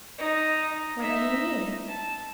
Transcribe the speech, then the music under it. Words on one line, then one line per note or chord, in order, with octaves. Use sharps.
What do you mean?
D#4
D#4 E5
A5